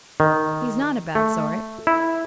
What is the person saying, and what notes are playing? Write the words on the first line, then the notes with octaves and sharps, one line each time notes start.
He's not a bad sort.
D#3
A3
E4